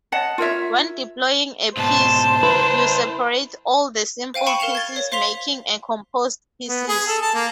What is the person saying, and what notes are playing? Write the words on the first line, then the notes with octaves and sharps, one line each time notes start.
When deploying a piece, you separate all the simple pieces making a composed pieces.
C#5 D#5 F#5 A5
F4 A#4 C#5 E5
G#2 B2 C5 A5
E4 A#4 B4
C5 F5 G5 D#7
G5 B5 C#6 C#7 D#7 E7
A#4 F5 E7 F7
G#6 A6
C#5
C5 F5 C6 B6 F7
B3
G#4
A4
A5
A#3